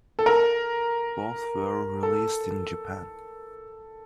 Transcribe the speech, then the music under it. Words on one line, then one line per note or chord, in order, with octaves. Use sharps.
Both were released in Japan.
A4
A#4
A4